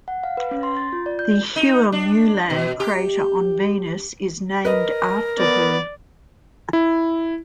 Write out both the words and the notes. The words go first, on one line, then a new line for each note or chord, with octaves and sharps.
The Hua Mulan crater on Venus is named after her.
F#5
F5
B4
C#4
C6
A6
F4
D5
G6
D#4
D4
B2
G4
A#4 B4 D#5
B3 D5
E4